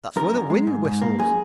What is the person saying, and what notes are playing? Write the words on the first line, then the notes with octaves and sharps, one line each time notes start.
That's where the wind whistles.
F#2 A#4
F#2
G#3
G#2
G#2
A#3
F#2 G#4